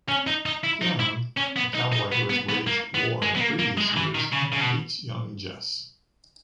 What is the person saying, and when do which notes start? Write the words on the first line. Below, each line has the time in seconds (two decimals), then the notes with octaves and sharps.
Gannon, a cowboy who has waged war in previous years, meets young Jess.
0.08 C#4
0.27 D#4
0.46 D#4
0.64 E4
0.82 D#4
1.00 E4
1.38 C#4
1.57 B3
1.75 D#4
1.93 D#4
2.12 B3
2.30 B3
2.49 B3
2.67 A#3
2.94 B3
3.22 G#3
3.36 B3
3.41 A#3
3.59 A#3
3.77 G#3
3.96 E3
4.15 D#3
4.33 C#3
4.53 C#3
4.61 B2